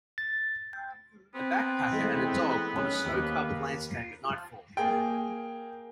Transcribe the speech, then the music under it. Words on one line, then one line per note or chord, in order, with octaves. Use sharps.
A backpacker and a dog on a snow covered landscape at nightfall.
A6
B3 C4
E3 G#3 A3
D#3 C#4 G#4
D#2 A#3
A#3 G#4 G5